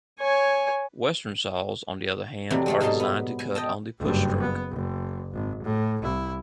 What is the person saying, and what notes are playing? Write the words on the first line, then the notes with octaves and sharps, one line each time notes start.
Western saws, on the other hand, are designed to cut on the push stroke.
C#5 G#5
F2 C3 E3 F#3 D4
G#3 A3 F4
G#2 B2 F#3 A5 C6
B3
G#5
D#5 G5 A5
F#1 G2
B3
F#1
G#1
A2
C2 E4